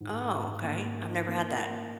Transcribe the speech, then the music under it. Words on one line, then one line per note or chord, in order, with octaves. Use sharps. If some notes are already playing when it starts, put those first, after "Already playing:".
Oh, okay, I've never had that.
G#2
G#2
G#2
A#3
A#3
D#4
A#3
A#4
A#3